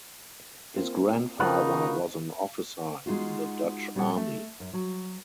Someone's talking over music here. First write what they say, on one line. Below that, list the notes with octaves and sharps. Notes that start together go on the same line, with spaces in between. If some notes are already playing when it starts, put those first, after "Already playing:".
His grandfather was an officer in the Dutch Army.
A#3 C4 F4
C#3 D#4 F4 F#4 A#4 B4 C#6 F#6
G#3 D#4 F4 F#4
A#2 G3 C#4 G#4 C#5 F#5
A3
F#2
F#3